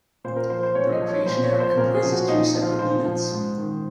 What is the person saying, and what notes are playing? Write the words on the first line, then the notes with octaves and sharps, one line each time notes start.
The recreation area comprises three separate units.
A#2 C5
A#4
F3 C5
C5
A#2 C#5
D#5
F3
C#5
A#2 C5
C#5
F3
C5
A#2 A#4
G#4
F3
F#4
A#2 D#4
D#4
F3
F4
A#2 C5
F3
G#2
D#3